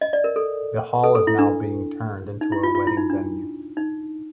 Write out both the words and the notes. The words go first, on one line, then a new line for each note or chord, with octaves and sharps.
The hall is now being turned into a wedding venue.
D#5
D5
A#4
A4
A4
A4
E4
D4
D#4
E4
F4
F4
E4
D#4
D4
D#4